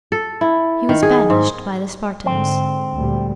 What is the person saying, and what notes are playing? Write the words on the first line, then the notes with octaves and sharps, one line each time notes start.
He was banished by the Spartans.
A4
E4
D#3
G#4
G#2
G#2 D3 C4
D2 A#2 G3